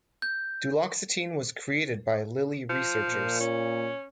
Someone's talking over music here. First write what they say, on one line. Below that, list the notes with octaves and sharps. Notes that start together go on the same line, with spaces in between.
Duloxetine was created by Lilly researchers.
G6
F3
A#2
C#4